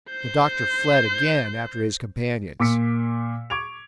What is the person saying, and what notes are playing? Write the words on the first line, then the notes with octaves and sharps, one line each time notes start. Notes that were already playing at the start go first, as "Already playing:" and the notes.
The doctor fled again after his companions.
C5 G6
A#2 D6 E6 B6 C#7
C#6 D6 G#6 D7 F7